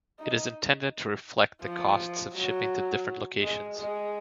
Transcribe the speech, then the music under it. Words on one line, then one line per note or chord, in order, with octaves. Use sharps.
It is intended to reflect the costs of shipping to different locations.
D#4
F3
F#3
G#3
G#3